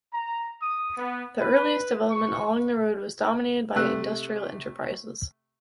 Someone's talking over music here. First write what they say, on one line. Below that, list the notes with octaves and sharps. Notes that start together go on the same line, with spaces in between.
The earliest development along the road was dominated by industrial enterprises.
A#5
D#6
B3
B4
C#6
C3 A3 E6 F#6